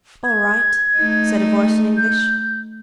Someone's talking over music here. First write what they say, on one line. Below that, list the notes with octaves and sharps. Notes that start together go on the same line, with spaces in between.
"All right," said a voice in English.
G#6
A3 D#4
G6